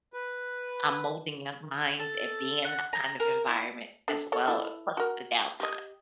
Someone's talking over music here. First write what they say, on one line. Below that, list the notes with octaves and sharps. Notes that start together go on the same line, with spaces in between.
um, molding young minds and being in that kind of environment as well plus the downtime.
B4
A4
F#5
A#5
A#4
E4
D4 A4
A4 C#5
E4 A4
F#4 A#4
G4 D#5